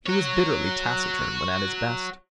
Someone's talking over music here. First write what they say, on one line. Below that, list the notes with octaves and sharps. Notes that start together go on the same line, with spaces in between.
He was bitterly taciturn when at his best.
F#4 C#5